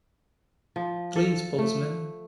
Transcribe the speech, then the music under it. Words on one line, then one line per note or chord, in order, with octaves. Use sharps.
Please, postman.
F3
A4
A3